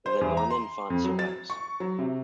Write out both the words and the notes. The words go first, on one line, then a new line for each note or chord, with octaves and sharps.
The Norman font survives.
C5
E2
A#5
C6
F2
F#3
A6
C#6
F#3
C3